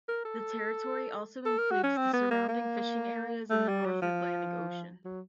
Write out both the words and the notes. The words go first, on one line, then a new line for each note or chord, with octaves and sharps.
The territory also include the surrounding fishing areas in the North Atlantic Ocean.
A#4
A4
A4
A#4
F#4
C#4
C4
B3
A#3
A#3
A3
G3
F#3
F3
F#3